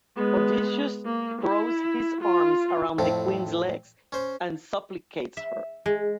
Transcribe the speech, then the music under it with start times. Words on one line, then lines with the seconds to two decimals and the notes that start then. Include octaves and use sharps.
Odysseus throws his arms around the queen's legs and supplicates her.
0.16 G#3 B3
1.05 A#3
1.41 E4
2.21 F4
2.99 F2 A2 C4
4.12 C#4 C5
5.37 E5
5.86 G#3